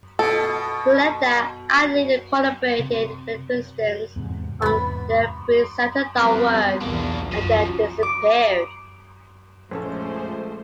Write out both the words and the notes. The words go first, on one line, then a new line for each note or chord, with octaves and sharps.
Senada allegedly collaborated with The Residents on their pre-"Santa Dog" work, and then disappeared.
B2 A4
C3
E2 G#2 C3
E2 G#2 C3 B3 B5
F2 G3 B3
B1 E2 B2 A#3 D4
F#2 F3 F#3
D6
A#1 F3 G#3 A3 C#4 A4 C5